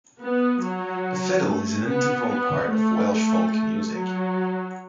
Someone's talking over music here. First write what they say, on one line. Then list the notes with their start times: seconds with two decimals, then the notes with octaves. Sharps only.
The fiddle is an integral part of Welsh folk music.
0.20 B3
0.62 F#3
1.45 A3
1.87 B3
2.29 B3
2.70 A3
3.11 A3
3.54 A3
3.95 F#3